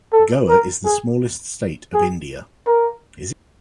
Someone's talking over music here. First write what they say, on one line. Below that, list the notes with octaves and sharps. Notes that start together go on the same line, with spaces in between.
Goa is the smallest state of India.
A4
A#4
G#4
G#4
A#4